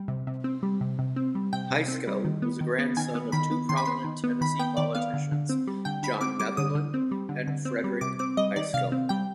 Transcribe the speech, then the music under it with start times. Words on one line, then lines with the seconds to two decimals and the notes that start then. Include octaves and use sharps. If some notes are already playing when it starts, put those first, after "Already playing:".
Heiskell was a grandson of two prominent Tennessee politicians, John Netherland and Frederick Heiskell.
Already playing: G3
0.08 C3
0.27 C3
0.44 C4
0.63 G3
0.81 C3
0.99 C3
1.16 C4
1.35 G3
1.53 C3 G5
1.70 C3
1.88 C4
2.07 G3
2.25 D#3
2.42 B3
2.61 D#3
2.79 B3
2.97 D#3 G#5
3.15 B3
3.32 D#3 B5
3.51 B3
3.69 D#3 C6
3.77 B5
3.86 B3 C6
4.04 D#3
4.24 B3
4.41 D#3 B5
4.59 B3 G5
4.77 D#3 D5
4.95 B3 F5
5.14 D3
5.32 D3
5.49 C4
5.67 G3
5.85 D3 G5
6.03 D3 B5
6.21 C4 D6
6.39 G3 D6
6.57 D3 D#6
6.75 D3
6.94 C4
7.11 G3
7.29 D3
7.47 D3
7.65 C4
7.84 G3
8.01 C3 D6
8.19 C4 D6
8.37 G3 D#5
8.56 D#3 D5
8.74 C3 F5
8.92 C4
9.09 G3 G5